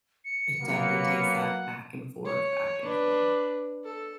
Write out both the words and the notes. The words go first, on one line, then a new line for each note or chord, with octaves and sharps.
it definitely takes that back and forth, back and forth.
C#7
F#3 A#3 B3
F#5
C#5
D4 B4
A4